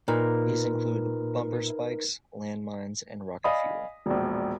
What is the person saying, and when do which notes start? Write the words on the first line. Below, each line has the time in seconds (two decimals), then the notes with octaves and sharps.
These include bumper spikes, land mines and rocket fuel.
0.08 A#2 D#4 A#4 B4
3.44 D5 D#5 F5 G#5 B5 D#6
4.06 E1 A#1